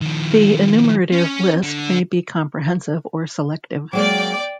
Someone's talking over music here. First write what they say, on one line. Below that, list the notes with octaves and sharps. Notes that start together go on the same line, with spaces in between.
The enumerative list may be comprehensive or selective.
D#3 F3
C#4
D3
F#3 G#3 A#3 D5 G5 D6